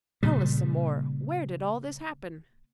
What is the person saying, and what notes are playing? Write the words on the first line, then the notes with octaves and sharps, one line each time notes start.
"Tell us some more. Where did all this happen?"
A#2 C#3 G3